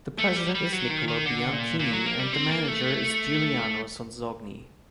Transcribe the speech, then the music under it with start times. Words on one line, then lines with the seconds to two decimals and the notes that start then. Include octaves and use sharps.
The president is Nicola Bianchini and the manager is Giuliano Sonzogni.
0.19 A3
0.37 G3
0.55 G3
0.73 F#3
0.90 D#3
1.08 D#3
1.26 D3
1.53 A#2
1.80 A#2
1.93 F#3
2.06 A#3
2.20 G3
2.33 C4
2.51 A#3
2.68 A3